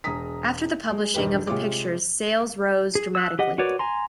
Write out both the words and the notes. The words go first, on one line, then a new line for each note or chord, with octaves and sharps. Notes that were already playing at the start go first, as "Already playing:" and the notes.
After the publishing of the pictures sales rose dramatically.
E1 G#4 A#5 D#6 B6
G#3
E1 G2 D#3 G4 B4
C3 G#3 F4 C#5 D6
G#4
E6 F#6
G4 D#5 F#5
F#4 A#4 B4 C#5 D5
G#5 A#5 C6